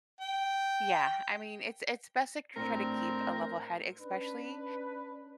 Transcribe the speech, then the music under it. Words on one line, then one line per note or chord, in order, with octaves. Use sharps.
Yeah, I mean, it's it's bes a chr try to keep a level head, especially
G5
A2 C4 D4 A#4
C#4 D4 B4